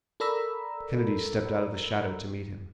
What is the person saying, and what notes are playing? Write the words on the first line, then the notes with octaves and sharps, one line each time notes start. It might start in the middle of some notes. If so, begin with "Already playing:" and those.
Kennedy stepped out of the shadow to meet him.
A4 A#4 D5 A#5 B5 E6